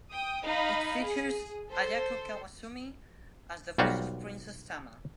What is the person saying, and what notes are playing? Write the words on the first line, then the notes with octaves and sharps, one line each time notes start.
It features Ayako Kawasumi as the voice of Princess Tama.
G5 D#6
D#4 D#5 F5 B5
G#4
A4 C5
B1 G3 F4 F#4 C5 A#5